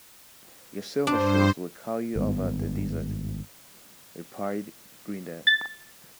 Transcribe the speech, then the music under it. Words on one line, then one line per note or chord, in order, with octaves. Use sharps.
"Your Silver Shoes will carry you over the desert," replied Glinda.
G2 D4 C5
G#1 G2 B3
A6